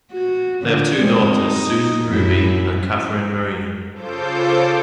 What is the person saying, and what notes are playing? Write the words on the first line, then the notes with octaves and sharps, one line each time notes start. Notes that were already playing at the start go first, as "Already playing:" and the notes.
They have two daughters, Susan Ruby and Katherine Marie.
F#4
D3 F4
G#3 C4
D#4
F#2 E4
C#3 F4 A4 C5 D6 G6